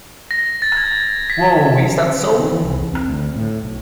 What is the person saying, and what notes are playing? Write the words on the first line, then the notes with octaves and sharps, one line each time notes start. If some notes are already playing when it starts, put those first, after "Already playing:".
Wow Is That So?!
A#6
A6
G#6
B6
D#3
E3
C2
E2
C4
D2
A2
B1